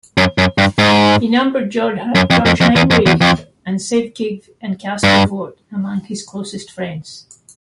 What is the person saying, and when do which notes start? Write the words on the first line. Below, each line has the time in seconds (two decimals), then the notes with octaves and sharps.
He numbered Georg Heinrich Sieveking and Caspar Voght among his closest friends.
0.18 F#2
0.38 F#2
0.58 G2
0.78 G#2
2.15 F#2
2.30 F2
2.46 F2
2.61 F2
2.76 E2
2.91 F2
3.06 E2
3.21 F2
5.04 G2